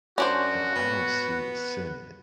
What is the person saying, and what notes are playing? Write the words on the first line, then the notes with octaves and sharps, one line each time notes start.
a I don't see the sin in it.
F#2 C#4 D4 F#4 C5
B3